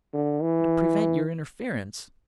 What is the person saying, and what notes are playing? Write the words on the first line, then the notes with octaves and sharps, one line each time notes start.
"To prevent your interference."
D3
E3